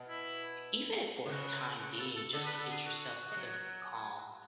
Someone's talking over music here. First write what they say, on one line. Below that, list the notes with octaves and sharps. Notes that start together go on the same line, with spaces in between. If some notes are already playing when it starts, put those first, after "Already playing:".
Even if for a time being, just to get yourself a sense of calm
Already playing: B2
E4
D3
C#3 F#4
F#4
A4
A4
D3 A4
B4
A4
G#4
F#4
G#3
F#3